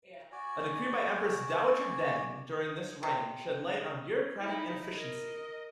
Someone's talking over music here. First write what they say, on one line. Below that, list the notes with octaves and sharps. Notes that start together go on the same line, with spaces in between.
A decree by Empress Dowager Deng during this reign shed light on bureaucratic inefficiency.
F#4 D5 G#5
C3
D#4 E4
A#4 D#5